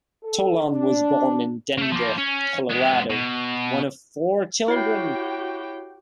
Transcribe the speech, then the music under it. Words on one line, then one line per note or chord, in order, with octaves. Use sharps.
Tolan was born in Denver, Colorado, one of four children.
A4
D4
A3 A#3
F3 A#3
C#4
G#3 B3
B2
E4 F#4 G4 C#5 G5 C7